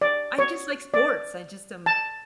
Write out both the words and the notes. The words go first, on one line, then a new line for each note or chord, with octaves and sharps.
I just like sports, I just um,
D5
C#5
D5
A5